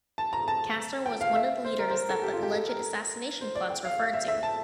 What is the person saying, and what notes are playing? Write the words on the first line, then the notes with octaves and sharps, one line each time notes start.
Castro was one of the leaders that the "alleged assassination plots" referred to.
A5
A#5
A5
G5
F5
E5
C5
A#4
C5
A#4
A4
G4
F4
G4
A4
A#4
C5
D5
G5
F5
E5
E5
A5